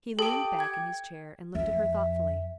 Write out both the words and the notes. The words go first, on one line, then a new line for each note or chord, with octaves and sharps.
He leaned back in his chair and looked at her thoughtfully.
G4 A4 A5 D#6 D7
G5 G#6
F2 E5